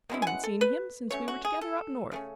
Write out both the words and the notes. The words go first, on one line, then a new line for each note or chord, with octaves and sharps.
I haven't seen him since we were together up North.
B2 G#3 C#4 E4
G#5
F#5
A4
B4
F#3 A3 C#4 C#5
F#4
G#4
A4
C#3 E3 A3 C#4